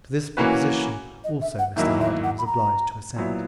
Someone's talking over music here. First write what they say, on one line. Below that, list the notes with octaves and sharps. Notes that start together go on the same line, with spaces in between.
To this proposition also Mr Harding was obliged to assent.
E3 A#3 C#4 F#4 B4
D#5
E5
F#5
E2 D#3 F#3 A#3 E4 E5
E5
F#5
B5
A#5
A#2 F#3 B3 E4